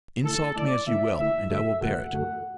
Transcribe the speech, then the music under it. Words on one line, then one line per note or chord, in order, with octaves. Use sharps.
Insult me as you will, and I will bear it.
D3 A3 E4 A4
D3 A3 E4 D5
D3 A3 E4 E5
D3 A3 E4 E5
F#2 D3 A3 F#4 A4 E5
F#2 D3 A3 F#4 A4 F#5
F#2 D3 A3 F#4 A4